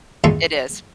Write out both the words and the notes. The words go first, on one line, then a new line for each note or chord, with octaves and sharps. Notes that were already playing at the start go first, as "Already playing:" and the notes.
It is.
A1 G#3 D#4 A4 C6 C#6